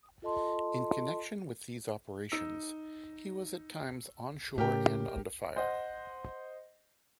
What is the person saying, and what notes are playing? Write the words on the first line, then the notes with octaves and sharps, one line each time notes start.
In connection with these operations, he was at times on shore and under fire.
F4 A4 D#5 A5 C6
D#4 E6
A2 C#3 G4 A#4 G5
C5 D#5 F#5